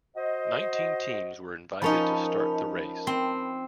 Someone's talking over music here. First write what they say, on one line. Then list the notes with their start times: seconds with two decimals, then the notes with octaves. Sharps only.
Nineteen teams were invited to start the race.
0.16 F#4 C5 D#5
1.82 F3 C#4 D#4 A#4 A5 B5
3.07 C4